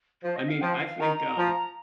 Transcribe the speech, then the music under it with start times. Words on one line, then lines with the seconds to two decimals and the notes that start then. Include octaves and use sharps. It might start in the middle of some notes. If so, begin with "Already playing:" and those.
I mean, I think, um
0.23 F3 C5
0.36 D#5
0.48 F5
0.61 F3 G5
0.74 F5
0.87 F5
0.99 D#3 A#5
1.38 F3